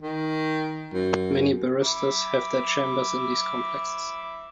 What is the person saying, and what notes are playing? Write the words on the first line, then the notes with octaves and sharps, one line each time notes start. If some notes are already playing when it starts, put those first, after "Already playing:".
Many barristers have their chambers in these complexes.
D#3
F#2
E5 B5 D6